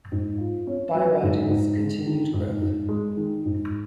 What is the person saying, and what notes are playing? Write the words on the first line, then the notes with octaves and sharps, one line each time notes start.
Byrider's continued growth.
G#2
F4
C#4
F#3
G#2
G#2
G#3
D#3
G#2
G#2
G#3
D#3
G#2